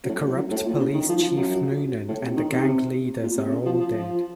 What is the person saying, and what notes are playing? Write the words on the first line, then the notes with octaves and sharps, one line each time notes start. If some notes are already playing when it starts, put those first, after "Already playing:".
The corrupt police chief Noonan and the gang leaders are all dead.
F#2
A2
F#2
F#2
A2
A#2
C#3
D#3
F3
F3
F#2
A2
C3
D#3
C3
A#2
C3
C#3
F3
F3
F3